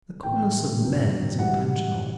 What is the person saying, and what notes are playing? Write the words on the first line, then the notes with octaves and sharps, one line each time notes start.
The coldness of men is intentional.
A2 E3 A3 G5
F#2 D3 F#3 B3
A2 E3 G3 F#5